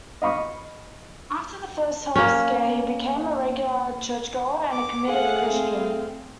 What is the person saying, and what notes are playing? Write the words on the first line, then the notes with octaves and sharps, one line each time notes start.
After the first health scare he became a regular churchgoer and a committed Christian.
D#5 F5 B5 C#6 D#6
A#3 C#4
D6
A3 G#4 F5 F#5
C4